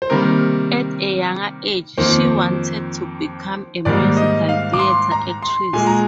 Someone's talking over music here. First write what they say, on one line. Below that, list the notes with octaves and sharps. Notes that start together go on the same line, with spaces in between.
At a younger age, she wanted to become a musical theatre actress.
C5
C3 D#3 G3 A#3 A#4
F2 D#3 A#3 C5
G#2 D#3 G3 A#3 D5
D#5
F5
D6
C6
A#5
C6
A#2 G#3 G#5
A#5